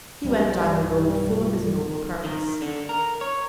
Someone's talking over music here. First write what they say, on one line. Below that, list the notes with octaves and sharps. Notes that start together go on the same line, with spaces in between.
He went down the road full of his noble purpose.
B1 G2 F3 G3
D#3
D3
A#4
C#5